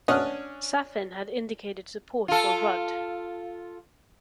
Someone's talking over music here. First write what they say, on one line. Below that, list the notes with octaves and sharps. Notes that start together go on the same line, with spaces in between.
Saffin had indicated support for Rudd.
C#4 D4 F#5 D#6 F6
F4 A4